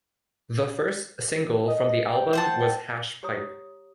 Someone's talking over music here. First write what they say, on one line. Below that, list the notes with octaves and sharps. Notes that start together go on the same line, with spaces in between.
The first single from the album was "Hash Pipe".
D#5
G5
C5 F#5 A5
G4 C#5 A#5 D#6